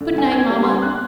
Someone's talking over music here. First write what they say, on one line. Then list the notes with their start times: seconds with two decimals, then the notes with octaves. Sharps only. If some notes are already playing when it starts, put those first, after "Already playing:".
Good night, Mama.
0.01 D3
0.18 G#5
0.32 G#6
0.50 G3
0.63 C6
0.82 F#6